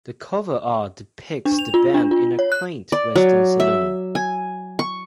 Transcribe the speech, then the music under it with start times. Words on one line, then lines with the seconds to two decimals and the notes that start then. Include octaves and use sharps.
The cover art depicts the band in a quaint western saloon.
1.45 D4
1.59 F7
1.74 F4
1.94 D4
2.11 F4
2.39 C#5
2.52 F#6
2.92 D5
3.16 F#3
3.60 E5
4.15 G#5
4.79 C#6